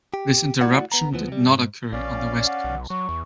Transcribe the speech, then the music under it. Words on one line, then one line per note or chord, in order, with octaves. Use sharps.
This interruption did not occur on the West Coast.
G4
A3 E4 F#4 D5 F#5
B3 A#5
D2 E3 F3 B3
C3 G3
G#2
A#1 C#4 D5 F5
F#5
B1
F#3 C#6
E2